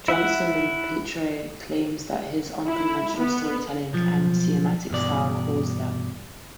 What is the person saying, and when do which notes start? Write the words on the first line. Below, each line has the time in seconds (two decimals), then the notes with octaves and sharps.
Johnson and Petrie claim that his unconventional storytelling and cinematic style caused them.
0.08 E4 E5 F#5
2.67 E4
3.17 B3
3.93 B1 F3
4.90 E2 G2 B2 D5